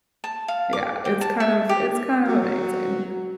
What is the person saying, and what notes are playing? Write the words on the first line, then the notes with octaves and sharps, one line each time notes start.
Yeah, it's kind of it's kind of amazing,
A5
F5
D6
G5
A5
E5
G4
F#3